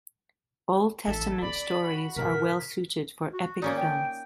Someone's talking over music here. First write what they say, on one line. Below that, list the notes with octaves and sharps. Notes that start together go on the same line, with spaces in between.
Old Testament stories are well suited for epic films.
A1 D4 A4 E5
C#4 D5 B5
F#4
A2 C#3 A#4 B6
F#4
A#3 C#4 D#4 D5
G5